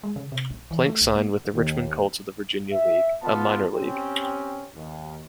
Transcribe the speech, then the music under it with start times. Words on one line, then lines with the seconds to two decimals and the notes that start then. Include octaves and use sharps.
Plank signed with the Richmond Colts of the Virginia League, a minor league.
0.03 G#3
0.16 C#3
0.32 C3
0.50 A#1
0.71 E3
0.86 A3
1.01 C2
1.16 A#3
1.53 D#2
2.72 E5
3.23 B3 F4 A5
3.74 C4 C#4 G4
4.76 D#2